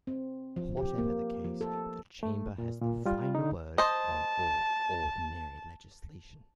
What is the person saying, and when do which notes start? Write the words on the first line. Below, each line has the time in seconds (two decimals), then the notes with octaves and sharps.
Whatever the case, the Chamber has the final word on all "ordinary legislation".
0.07 C4
0.56 F3
0.77 G4
0.98 A#3
1.45 F3
1.61 A4
2.23 A3
2.58 A#2
2.81 A#2
3.06 G3 F4
3.35 D3 D#4
3.78 C5 D#5 A5